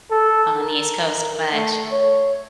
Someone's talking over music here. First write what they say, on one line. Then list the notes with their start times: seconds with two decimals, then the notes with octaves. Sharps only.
on the East Coast, but
0.11 A4
0.58 A#4
1.54 A3
1.91 C#5